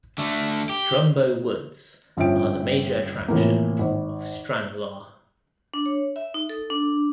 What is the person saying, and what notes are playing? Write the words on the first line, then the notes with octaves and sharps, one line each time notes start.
Drumboe Woods are the major attraction of Stranorlar.
D3 A3
G4
G1 F3 C#4 E5 G5 D7
A2 C3 E3 F3 A#3
G#1
D4
C#5
E5
D#4
A4
D4